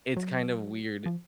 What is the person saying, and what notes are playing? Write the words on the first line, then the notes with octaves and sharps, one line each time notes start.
it's kind of weird
F#3
F3